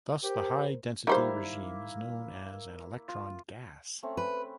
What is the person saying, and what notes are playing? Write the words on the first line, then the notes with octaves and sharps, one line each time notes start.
Thus the high-density regime is known as an "electron gas".
G4 A#4 C5
D#3 G3 A#3 E4 C5 F5
F4
A3 C4 C#4
B4